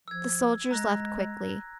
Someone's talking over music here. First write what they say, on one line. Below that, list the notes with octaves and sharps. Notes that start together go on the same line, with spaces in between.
The soldiers left quickly.
F3 E6 G#6
G#3 A#5 F#6 A#6